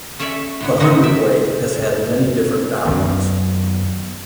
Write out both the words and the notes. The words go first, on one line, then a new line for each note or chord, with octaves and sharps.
The hundredweight has had many different values.
C#4 A4 C#5 D5 E5
A2 D3 B3
F3 G#3 B3 C#4 D#4 F#4
G4 E5
F#2 D#3 B3